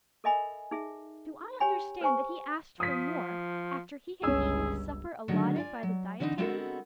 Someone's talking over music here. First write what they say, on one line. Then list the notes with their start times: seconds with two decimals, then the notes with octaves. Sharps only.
Do I understand that he asked for more, after he had eaten the supper allotted by the dietary?'
0.24 A4 A#4 D#5 E5 G#5 B5
0.71 D#4 G#4 E5
1.60 G4 C#5 G5 G#5 B5
2.01 B4 C5 G#5 C#6
2.80 F3 D#6 B6
4.23 G1 C#2 C#4 G#4 E6
5.28 D3 D#3 F#3 G#3 A3 C#4
5.56 F4 D5 G#5
5.83 F#3
6.20 D3 E3 C4 C#4 D#4
6.38 G#3 B3 C4 F#4 A4 A#4